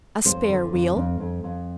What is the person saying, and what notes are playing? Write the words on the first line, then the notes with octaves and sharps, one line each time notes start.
"A spare wheel?"
F2 C5
D3
F2
F2
F2
F2